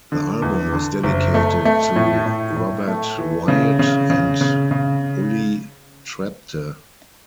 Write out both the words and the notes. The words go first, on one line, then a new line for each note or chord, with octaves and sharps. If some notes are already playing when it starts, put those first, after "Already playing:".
The album was dedicated to Robert Wyatt and Uli Trepte.
D3
E2
D3
F#1
A3
A3
A2
A2
A2
A3
E3
C#3
C#3
C#3
C#3
C#3